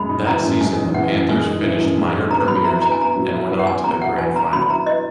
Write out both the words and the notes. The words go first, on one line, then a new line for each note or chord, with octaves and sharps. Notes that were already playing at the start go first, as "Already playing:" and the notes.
That season the Panthers finished minor premiers and went on to the grand final.
Already playing: F#2 G#3 B5
D#4
E3 A#5
F#2
G#3 G#5
D#4
E3 F#5
F#2
G#3 G#5
D#4
E3
F#2
G#3
D#4
B3 A#5
F#3 B5
E4 A#5
B4 A#5
G#5
B3 A#5
F#3
E4
B4
F#5
B3 G#5
F#3 A#5
E4 F#5
B4 G#5
B3 A#5
F#3 B5
E4 A#5
B4 D#5